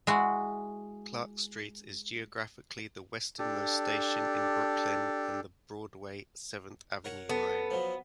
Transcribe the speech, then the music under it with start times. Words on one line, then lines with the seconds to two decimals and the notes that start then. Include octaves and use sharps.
Clark Street is geographically the westernmost station in Brooklyn on the Broadway-Seventh Avenue Line.
0.07 G#3 E4 F#4
3.39 D4 G4 A4
7.04 A#4 C#5 F#5
7.29 B3 A4
7.71 F3 F#3